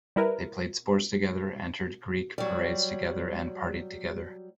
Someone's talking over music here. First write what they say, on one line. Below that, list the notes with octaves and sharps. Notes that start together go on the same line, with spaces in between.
They played sports together, entered "greek" parades together, and partied together.
G3 E4 A#4 B4
F#3 G3